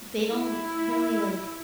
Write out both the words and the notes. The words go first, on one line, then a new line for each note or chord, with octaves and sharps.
they don't really like
E4